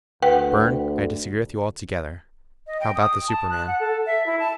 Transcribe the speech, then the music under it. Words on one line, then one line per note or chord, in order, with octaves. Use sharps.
"Burne, I disagree with you altogether; how about the superman?"
D2 B4 F#5 G5
D#5
G5
D#6
A5
F#6
F#5
A4
E5
E4
A5